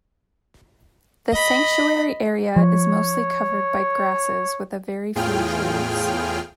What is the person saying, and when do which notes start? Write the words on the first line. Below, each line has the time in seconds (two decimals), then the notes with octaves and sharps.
The sanctuary area is mostly covered by grasses with a very few trees.
1.32 D#5 B5
2.56 F3 C#5
5.15 E2 A2 F4 G#4 G5 F6